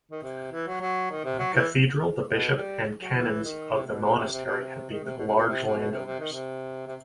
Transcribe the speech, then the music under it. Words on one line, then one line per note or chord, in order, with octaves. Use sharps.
The cathedral, the bishop and canons of the monastery had been large landowners.
D#3
C3
E3
F#3
F#3
D#3
C3
F#3
E3
B2
G3
F#3
E3
D#3
C3
B2
C3
C3
C3
B2
C3
D#3
C3
B2
C3
B2
C3
C3
B2
C3
C3
D#3
C3
C3